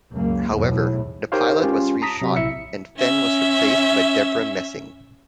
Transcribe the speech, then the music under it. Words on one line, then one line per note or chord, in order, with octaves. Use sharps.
However, the pilot was reshot and Fenn was replaced by Debra Messing.
C#2 F#2 A#3
B1 E2 A2
D#4 G4 A#4 C5 C#5 F5
G#3 C#4 F4 G4
A5 A#5 D#6 A#6 B6
C3 F#3
A#1 E4 E5 C#7
C#4 E5